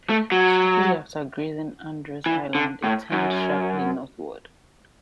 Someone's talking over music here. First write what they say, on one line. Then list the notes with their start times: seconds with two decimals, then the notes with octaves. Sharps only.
Shortly after grazing Andros Island, it turned sharply northward.
0.10 A3
0.32 F#3
2.26 E3
2.55 D3
2.84 A2
3.12 F#2